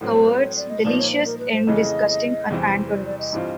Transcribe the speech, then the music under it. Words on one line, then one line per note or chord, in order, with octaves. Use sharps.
The words delicious and disgusting are antonyms.
A2 F#3 A3 C4
B4
C#5
D5
D#5
A#2 F3 A#3 D#4 D5
C#5
C5
A#4
B4
C5
F2 C#3 E3 A3 D#5
E2 C3 E3 G3 C4
D5
D5
D#5
G2 E3 G3 C4 F4